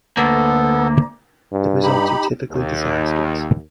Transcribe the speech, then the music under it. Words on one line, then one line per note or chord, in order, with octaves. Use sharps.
The results are typically disastrous.
D2 A#3 B3 A4
G2
D#4 G4 B5
D#2